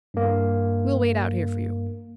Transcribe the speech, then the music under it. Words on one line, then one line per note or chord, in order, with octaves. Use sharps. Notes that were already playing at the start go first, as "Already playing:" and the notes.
"We'll wait out here for you."
G2 A#3